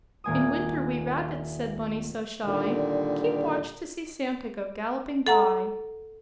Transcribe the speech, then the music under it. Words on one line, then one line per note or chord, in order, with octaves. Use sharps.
"In winter we rabbits," said Bunny so shy, "Keep watch to see Santa go galloping by."
D#1 A#3 G#5 D#6
A#2 D3 D#3 G3
A4 F#5 A#5